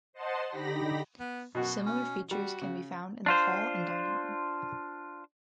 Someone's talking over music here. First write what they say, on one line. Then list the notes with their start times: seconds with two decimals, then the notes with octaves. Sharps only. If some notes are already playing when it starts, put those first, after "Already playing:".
Similar features can be found in the hall and dining room.
0.13 C5 D#5 F#5 A5 C6
0.49 D3 D#4 G4 B5 A#6
1.19 B3
1.55 F#2 B2 F#4
1.86 C#4
2.31 G3 F#4
2.62 C#3
3.26 D4 F4 C5